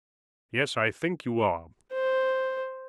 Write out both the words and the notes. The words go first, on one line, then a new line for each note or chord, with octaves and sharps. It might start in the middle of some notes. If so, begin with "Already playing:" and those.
'Yes, I think you are.
C5